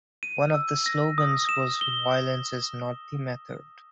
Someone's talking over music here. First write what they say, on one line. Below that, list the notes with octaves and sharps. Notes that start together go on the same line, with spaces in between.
One of the slogans was "Violence is not the method".
D#7
E6
A#6
D#6
E7
G7